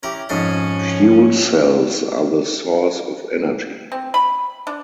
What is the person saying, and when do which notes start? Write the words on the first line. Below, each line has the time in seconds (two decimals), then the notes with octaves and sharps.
Fuel cells are the source of energy.
0.03 C#4 E4 G4 A#4
0.29 F2 G#2 C#4 C5
3.92 C4
4.14 B5
4.67 D4